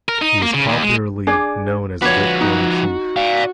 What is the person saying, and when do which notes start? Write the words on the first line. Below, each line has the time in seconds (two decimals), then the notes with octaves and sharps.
He is popularly known as Bitcoin Chief.
0.09 A#4
0.22 D#4
0.42 A#3
0.54 C#3
0.69 D#2
0.83 G#3
1.27 D4 G#4 D5
2.02 F3 D4 F#4 B4 C#5
2.41 D#4
3.16 D5 F5